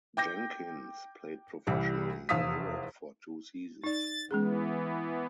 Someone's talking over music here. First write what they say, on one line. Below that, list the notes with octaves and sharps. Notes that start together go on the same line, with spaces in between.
Jenkins played professionally in Europe for two seasons.
G5 D6 G6 A#6
C2 E3 G3
F1 E2 F5 D#6 E6 B6
D#4 D5 A6
E3 G#3 B3 C#4 G#4